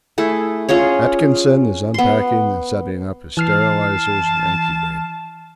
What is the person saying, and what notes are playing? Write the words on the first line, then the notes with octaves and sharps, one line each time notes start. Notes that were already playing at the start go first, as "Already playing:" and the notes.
Atkinson is unpacking and setting up his sterilizers and incubators.
A3 E4 G#4 A4
C#4 F4 G#4 C#5
B3 C6
E3 A5 F6 C7